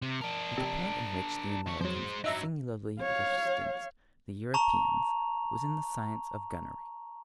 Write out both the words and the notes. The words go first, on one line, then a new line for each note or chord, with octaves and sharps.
But the point in which the Americans singularly distanced the Europeans was in the science of gunnery.
C3
D4 A#4 A5
C3
D#3 C#5
F2 F#3 G#3 C5
G2 F#3 D#4 E5 A#5
C#5 F5
A5 A#5 C#6 F7